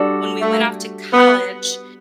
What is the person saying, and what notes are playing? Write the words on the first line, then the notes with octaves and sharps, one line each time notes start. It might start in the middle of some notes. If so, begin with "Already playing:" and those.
when we went off to college,
Already playing: G3 D4 F#4 A4
A3
B3